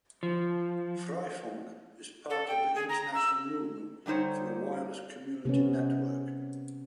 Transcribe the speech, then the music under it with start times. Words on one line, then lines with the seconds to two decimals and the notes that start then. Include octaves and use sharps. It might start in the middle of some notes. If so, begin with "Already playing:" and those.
Freifunk is part of the international movement for a wireless community network.
0.23 F3
2.30 A4
2.48 G5
2.75 G#4
2.89 A#5
3.15 E6
4.06 D3 G3 D#4 C5 C#5
5.45 C3 B3 C#4